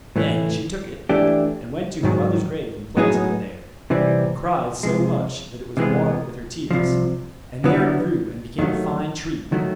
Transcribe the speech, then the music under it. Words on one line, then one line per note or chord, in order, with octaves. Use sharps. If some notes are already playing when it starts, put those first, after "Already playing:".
Then she took it, and went to her mother's grave and planted it there; and cried so much that it was watered with her tears; and there it grew and became a fine tree.
A2 E3 A3
E3 A3 D4 G4
G#2 D#3 F#3
A2 F#3 B3 D#4 G#4
C3 E3 G3 C4
C3 F3 G#3
C3 E3 G#3 B3
C2 C3 F3
D3 F#3 B3 E4
D#2 D#3 F#3 A3
D#3 F#3 A3